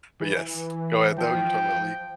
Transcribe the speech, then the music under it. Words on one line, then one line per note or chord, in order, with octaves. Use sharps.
but yes, go ahead, though. You're talking about League.
E3
F3 G5